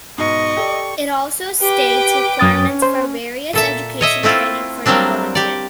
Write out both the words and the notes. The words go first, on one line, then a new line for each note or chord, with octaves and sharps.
It also states requirements for various education training for the religion.
G#2 B2 D#5 C#6
G4 A4 D5
G4 B4 G5 D6
F#2 C#4 D#6 A6
C5
A#2 A4 E5
C#5 D#5 E5
A3 C4 E4 F4
F#3 G3 A#3 C4 D4
G4 D5